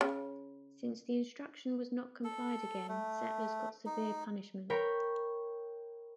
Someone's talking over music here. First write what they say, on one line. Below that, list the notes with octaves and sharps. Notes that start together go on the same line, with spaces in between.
Since the instruction was not complied again, settlers got severe punishment.
C#3
A4
A3
D#4
A#4 C#5 G5 B5